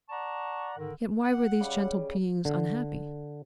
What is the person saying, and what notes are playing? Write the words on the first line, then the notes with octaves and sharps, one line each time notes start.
Yet why were these gentle beings unhappy?
D5 F#5 A5 A#5 C#6
G#2 D3 D#3 A#4
F#5
C#3 G3
D3